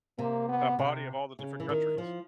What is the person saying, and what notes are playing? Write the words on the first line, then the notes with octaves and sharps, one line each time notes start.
a body of all the different countries.
C3 A#3
B3
C3
C#3
E3
D#3
F3